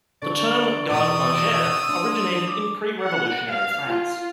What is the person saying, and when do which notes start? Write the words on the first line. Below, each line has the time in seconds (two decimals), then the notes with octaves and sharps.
The term "garde manger" originated in pre-Revolutionary France.
0.22 D3 D5 C#6
0.90 E2 B2 E3 C#6 D#6 E6
1.89 D4 C6
2.46 D6
3.01 F#5
3.48 F5
3.87 F4